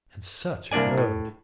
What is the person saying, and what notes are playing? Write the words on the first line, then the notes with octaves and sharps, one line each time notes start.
And such a road!
C2 A#3 D4 D5 G#5
A2